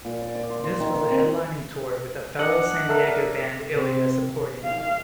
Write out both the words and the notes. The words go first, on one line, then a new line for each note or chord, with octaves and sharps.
This was a headlining tour with fellow San Diego band, Ilya supporting.
A#2
D5
D5
C6
C6
D#3
D#3
C4
D4 D5 D#5 F#5
A3 A4 A#4
C3 C4
F5